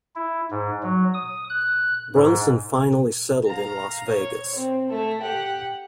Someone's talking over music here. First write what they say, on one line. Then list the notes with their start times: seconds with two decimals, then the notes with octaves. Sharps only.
Brunson finally settled in Las Vegas.
0.16 E4
0.51 G#2
0.83 F#3
1.14 D#6
1.50 F#6
2.15 G#2
3.46 F5 A#5
4.08 C#5
4.55 C4
4.90 A3 A4
5.21 G4 F#5